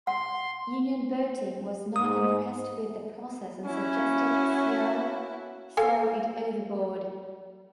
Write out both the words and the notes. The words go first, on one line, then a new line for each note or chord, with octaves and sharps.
Union Boating was not impressed with the process and suggested Searle throw it overboard.
F#5 C6
G#2 D#6
C#4 E4 F#4
A4 F5 G#5